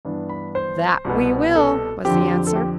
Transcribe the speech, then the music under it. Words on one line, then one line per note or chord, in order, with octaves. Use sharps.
"That we will," was the answer.
G2 E3 B3 D4
B5
C5
C2 B2 B3
A4
F2 D3 F3 C4 G4
A4
G4